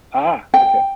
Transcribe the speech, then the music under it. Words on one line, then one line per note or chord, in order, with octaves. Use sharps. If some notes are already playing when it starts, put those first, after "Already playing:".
Ah, okay.
G5